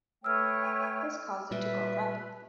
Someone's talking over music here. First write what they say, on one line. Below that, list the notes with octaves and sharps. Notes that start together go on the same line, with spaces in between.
This caused it to grow rapidly.
A3 B4 C#5 G5 E6 F6
A#2 G3 B4 E5